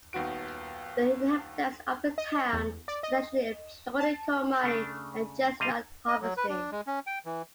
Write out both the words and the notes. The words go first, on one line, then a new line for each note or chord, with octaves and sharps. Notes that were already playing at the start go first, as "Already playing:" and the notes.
The inhabitants of the town are traditionally employed in coal mining and chestnut harvesting.
D#1 D#2 B3 F#4 D7
D#5
E2
D5
D#5
A5
C#3 A3 D4
C3 G3 D#5 F5
D#5
F#3
B4
D4
G#3
C#4
G5
E3